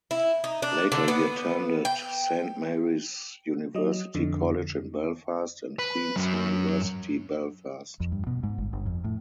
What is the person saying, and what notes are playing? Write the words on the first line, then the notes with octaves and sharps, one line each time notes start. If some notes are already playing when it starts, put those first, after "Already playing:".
Later he attended Saint Mary's University College in Belfast and Queens University Belfast.
E4
D#4
D4
D3
B3
G5
F#3 D#5
F2 D3
B4
F#2 F#3
F2
G2
B2
G#2
G1
G1
F2
A2